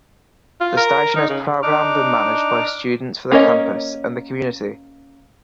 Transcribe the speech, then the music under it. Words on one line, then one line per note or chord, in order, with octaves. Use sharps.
The station is programmed and managed by students for the campus and the community.
F4
A#4
D#4
C#3
D4 D#4 D6 F6
A#3 C#4 A#4 C#5 D#5